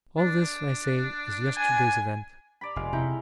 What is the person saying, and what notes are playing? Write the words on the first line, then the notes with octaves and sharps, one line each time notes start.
All this, I say, is yesterday's event.
D4
G#5
D5 A#5 B5
F1 B2 G#3 F5
C3 D#4 E4